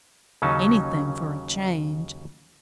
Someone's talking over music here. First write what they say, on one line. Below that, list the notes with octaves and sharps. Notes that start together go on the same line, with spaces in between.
Anything for a change.
D#2 C#3 F#3 C#4 D#4 A5